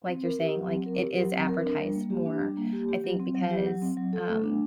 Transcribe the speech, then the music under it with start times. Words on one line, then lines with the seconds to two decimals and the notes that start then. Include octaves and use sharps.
like, you're saying, like, it is advertised more, I think because, um
0.08 C4
0.24 A#4
0.39 G4
0.55 F#3
0.70 C4
0.86 A#4
1.01 G4
1.17 F#3
1.33 C4
1.48 A#4
1.64 D4
1.80 G3
1.95 A#3
2.10 G4
2.26 D4
2.42 G3
2.57 A#3
2.73 G4
2.88 G4
3.04 F#3
3.20 C4
3.35 F#3
3.51 G4
3.66 F#3
3.82 C4
3.97 F#3
4.13 A4
4.28 A3
4.44 D4